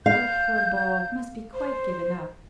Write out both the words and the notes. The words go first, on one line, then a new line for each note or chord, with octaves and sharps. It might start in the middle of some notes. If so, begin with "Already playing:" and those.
"Our poor ball must be quite given up."
F5 G6
C5